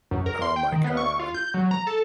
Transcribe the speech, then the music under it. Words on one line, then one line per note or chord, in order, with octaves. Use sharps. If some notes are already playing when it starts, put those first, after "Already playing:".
Oh my god.
F#2
A#4
C6
G5
D#3
B3
C#6
F4
G6
F#3
A#5
A4